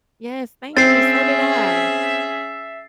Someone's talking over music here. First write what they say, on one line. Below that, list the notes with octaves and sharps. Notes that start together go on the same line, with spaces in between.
Yes, thank you, so did I.
C4 C#4 G#4 E5 A6 C7